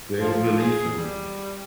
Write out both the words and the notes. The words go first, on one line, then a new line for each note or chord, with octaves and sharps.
They'll believe him.
F3
G#4
G3